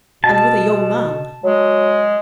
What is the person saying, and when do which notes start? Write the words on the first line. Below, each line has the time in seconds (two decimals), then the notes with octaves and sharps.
'And with a young man?'
0.24 B2 A5
1.44 F#3 G#3